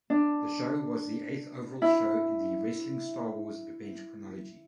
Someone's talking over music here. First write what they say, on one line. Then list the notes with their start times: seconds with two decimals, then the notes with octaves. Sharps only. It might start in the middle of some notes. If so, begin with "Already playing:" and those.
The show was the eighth overall show in the "Wrestling Star Wars" event chronology.
0.10 D4
1.82 E4